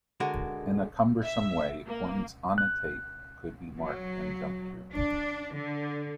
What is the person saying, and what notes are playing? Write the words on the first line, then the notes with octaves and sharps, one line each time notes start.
In a cumbersome way, points on the tape could be marked and jumped to.
D3 G#3 F#4 A#4
E5
A#3
F#6
F#3
D4
D3